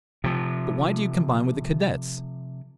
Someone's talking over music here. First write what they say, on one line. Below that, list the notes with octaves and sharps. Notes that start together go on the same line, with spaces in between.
"But why do you combine with the Cadets?"
C3 F3